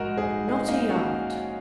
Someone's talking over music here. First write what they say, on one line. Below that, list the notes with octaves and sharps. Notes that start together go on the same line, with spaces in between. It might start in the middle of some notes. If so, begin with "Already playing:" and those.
"Not a yard."
Already playing: A#1 G#2 F#3 D#4 F#4 A#4
D#4 G#4
D#4 G#4
A#3 D#4
C#4 F#4